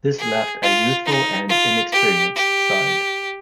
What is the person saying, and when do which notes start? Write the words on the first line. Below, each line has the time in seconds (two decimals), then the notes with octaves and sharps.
This left a youthful and inexperienced side.
0.19 G#4
0.63 F4
1.06 D#4
1.49 F4
1.92 G4
2.35 G4